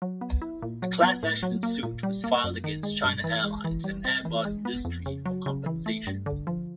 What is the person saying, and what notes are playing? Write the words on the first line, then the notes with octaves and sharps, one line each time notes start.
A class action suit was filed against China Airlines and Airbus Industrie for compensation.
F#3
B3
E4
A#2
F#3
B3
A2
F#3
A#3
A#2
G3
A#3
F#2
D#3
G#3
G2
E3
G#3
E3
G3
C4
E3
G#3
B3
F2
C#3
F#3
C#3
E3
A3
G2
D3
F3